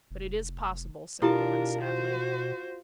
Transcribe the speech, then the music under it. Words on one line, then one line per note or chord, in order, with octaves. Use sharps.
"But it is possible," said Bourne sadly.
F1
B2 D4 E4 F4 G4 A4 A#4 A5
F#4 C5